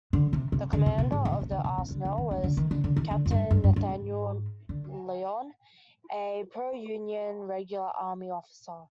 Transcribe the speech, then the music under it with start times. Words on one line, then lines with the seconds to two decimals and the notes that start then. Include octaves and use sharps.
The commander of the Arsenal was Captain Nathaniel Lyon, a pro-Union regular Army officer.
0.13 D3
0.33 C3
0.52 C3
0.73 D3
0.86 C3
0.98 B2
1.12 G#2
1.25 C3
1.32 B2
1.41 C3
1.52 D3
1.64 B2
1.78 C3
1.91 D3
2.05 D3
2.18 D#3
2.31 D3
2.38 D#3
2.44 D3
2.57 D#3
2.71 D3
2.84 D3
2.96 D#3
3.11 D3
3.26 F2
3.31 G2
3.51 G2
3.64 G2
3.76 G2
3.89 G#2
4.69 D3